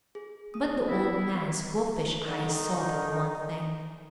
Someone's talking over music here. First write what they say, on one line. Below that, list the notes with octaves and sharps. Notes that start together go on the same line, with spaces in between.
But the old man's wolfish eyes saw but one thing.
G#4
D#6
B3 E4
D3 D#3 D#4